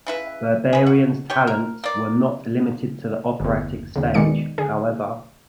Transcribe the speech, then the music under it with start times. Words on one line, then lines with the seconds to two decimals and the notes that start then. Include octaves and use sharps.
Berbarian's talents were not limited to the operatic stage, however.
0.07 C#3 E4 B4
0.73 G#4 B4
0.86 F#4
1.30 G4 C#5 G5
1.47 A#4
1.84 A#3 D5
3.40 G1 E2
3.96 D#2 C#3
4.14 B2 D#3 G#3 D5 C#7
4.58 D3 G#4